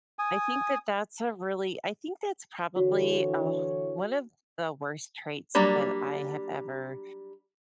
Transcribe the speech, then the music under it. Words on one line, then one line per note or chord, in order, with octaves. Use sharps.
I think that that's a really I think that's probably, ugh, one of the worst traits that I have ever
G#5 D#6
D3 E3 F#4 C#5
F#3 G3 A#3 D4